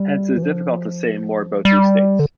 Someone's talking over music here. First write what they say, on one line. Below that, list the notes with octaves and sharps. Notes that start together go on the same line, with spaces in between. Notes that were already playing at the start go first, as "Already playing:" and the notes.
Hence it is difficult to say more about these states.
Already playing: G3
E3
F3
G3
D3